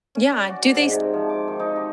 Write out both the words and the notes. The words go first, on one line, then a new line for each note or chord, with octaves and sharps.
Yeah. Do they s
C#4
D5
F#4
G#2
C3
F3
D6
D#3
D#4
G4